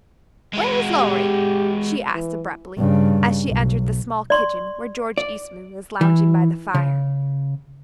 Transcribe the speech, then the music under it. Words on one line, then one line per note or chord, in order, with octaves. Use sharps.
"Where is Lawrie?" she asked abruptly; as she entered the small kitchen where George Eastman was lounging by the fire.
G#3 F#4
G4
E3
G2 C#3
B1
D5 C6 C#6
D5
E3
C#3